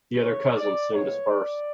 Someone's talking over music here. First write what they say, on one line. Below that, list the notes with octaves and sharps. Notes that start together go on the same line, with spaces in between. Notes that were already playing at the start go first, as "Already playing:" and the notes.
The other cousins soon disperse.
C#3 E3 A3 C#5
D5
A2 F3 G#3 B3 C#5
D5